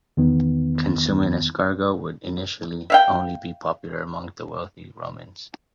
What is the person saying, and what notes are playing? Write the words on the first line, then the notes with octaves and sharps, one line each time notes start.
Consuming escargot would initially only be popular among the wealthy Romans.
E2 D#3 B3
E5 F5 G5